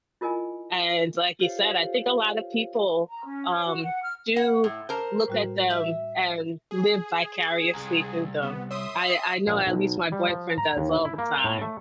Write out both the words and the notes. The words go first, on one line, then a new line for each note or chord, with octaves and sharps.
and like you said, I think a lot of people, um, do look at them and live vicariously through them, I I know at least my boyfriend does all the time.
E4 F4 A#4 D#5 G#5
F4 G4 A4 C5 C#5 F5
A#5
C#4
C#5
F#4
F#5
F6
F#5 B5
A2
A#4 C5 A5
A2 G3 F#4
E5
G#4
C2
B3
C#5 E5 C6 D#6
A#1
B1
G3
F3
A#5
D#2
E4
A#3
A2
A3